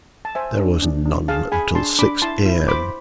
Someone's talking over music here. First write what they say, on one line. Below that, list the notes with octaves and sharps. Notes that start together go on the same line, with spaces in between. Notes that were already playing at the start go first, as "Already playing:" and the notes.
There was none until six A.M.
A5
C5 E5 G#5
D4
D4
D4
G#4 F5 A5
G#4 G#5 B5
D4 A5 C6
D4 B5 D6
E4 A5 C6
E4
C5 B5 D6